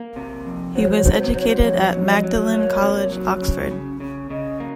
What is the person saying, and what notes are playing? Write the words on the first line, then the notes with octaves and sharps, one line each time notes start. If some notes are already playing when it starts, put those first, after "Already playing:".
He was educated at Magdalen College, Oxford.
Already playing: A#3
C3
F2
F#3 C5
C#5
C5
C#5
C3 C5
C#5
C5
C#5
F#3 C5
C#5
C5
F2 C#5
F#3
D#5
F#3
A#3 C#5
C3
F#3
C#3
C#3
C#3
C#3 D#5
A#3